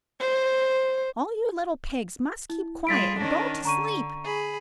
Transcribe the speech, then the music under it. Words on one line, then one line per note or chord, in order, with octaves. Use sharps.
All you little pigs must keep quiet and go to sleep.
C5
E4
G3 F4 G#4 A6 B6 D7
D#3 C#4 D4
D3 A#5 C#6 D#7
G#4 B5